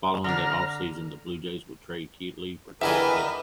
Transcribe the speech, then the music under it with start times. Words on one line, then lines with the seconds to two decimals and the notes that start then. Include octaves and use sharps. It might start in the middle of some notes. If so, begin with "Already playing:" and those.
Following that off-season, the Blue Jays would trade Kielty for Ted Lilly.
0.24 D3 D4 A#5 F6
2.82 E2 D3 G3 A#4 B4 D#5 E5 G#5